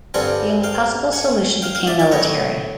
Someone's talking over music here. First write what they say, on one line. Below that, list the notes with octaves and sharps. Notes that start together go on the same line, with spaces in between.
The only possible solution became military.
G2 D3 G3 C4 F4 F#5 G#5
F5 G5
F#5 G#5
F5 G5
F5 G5
D5 E5
D5 E5
A2 F#3 B3 C#5 D#5